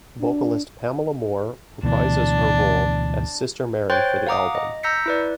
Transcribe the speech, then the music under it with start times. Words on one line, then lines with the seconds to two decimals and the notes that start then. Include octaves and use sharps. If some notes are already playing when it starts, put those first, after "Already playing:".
Vocalist Pamela Moore reprises her role as Sister Mary for the album.
0.21 D4
1.83 D2 B2 E3 D4
3.90 C5 C#5 G5 C6 F#6 A6
4.27 F5 F#5 A#5 D6 D#6
4.55 D#5
4.83 A#5 E6 G6 A#6 B6 C#7
5.06 E4 B4 D5